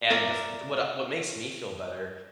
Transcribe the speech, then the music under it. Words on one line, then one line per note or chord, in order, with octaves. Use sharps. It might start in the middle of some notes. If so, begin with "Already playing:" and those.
and the f what I what makes me feel better,
A#4 D5 E5